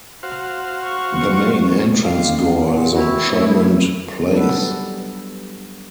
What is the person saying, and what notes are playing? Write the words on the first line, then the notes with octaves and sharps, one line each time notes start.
The main entrance door is on Tremont Place.
F#4 C5 F5
C#6
G3 G#3 A#3 F5
A#2 F#5
C4 E4 F#4
A3
F#3 G3 B3 D4 A4 B4